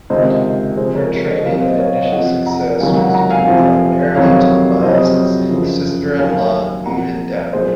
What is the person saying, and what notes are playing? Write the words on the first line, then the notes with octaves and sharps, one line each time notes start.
Her training and initial success was due primarily to Miles's sister-in-law Ada Dow.
C#2 C3 D#3 C5 D#5
C#2 C3 F3 G#4 C5
A#4 C#5
A#4 C#5
C5 D#5
C2 A#2 F#3 C#5 F5
C5 D#5
C#5 F5
D#5 F#5
F2 C3 F3 D#5 F#5
F#5 A#5
C#2 C3 D#3 F#3 F5 G#5
F#5 A#5
F#5 A#5
F5 G#5
F2 C3 F3
F2 C3 D#3 F#3 C#5 F5
F2 C3 F#3 C5 D#5
F#2 C#3 F3
D#2 D#3 F#3 F5 G#5
C2 A#2 F3 F#5 A#5
A#2 F#3 G#4 C5